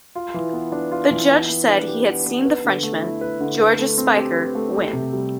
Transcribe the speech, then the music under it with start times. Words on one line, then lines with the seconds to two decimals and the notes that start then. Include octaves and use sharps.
The judge said he had seen the Frenchman, Georges Speicher, win.
0.15 F4
0.34 E3
0.53 B3
0.72 D4
0.92 F4
1.11 E3
1.30 B3
1.49 B3
1.69 D4
1.88 G4
2.07 B3
2.25 B3
2.45 B4
2.64 D3
2.83 A3
3.02 E4
3.21 B4
3.40 D3
3.59 B4
3.79 A3
3.98 C4
4.17 G4
4.36 B4
4.55 A3
4.74 G4
4.93 C3
5.13 G3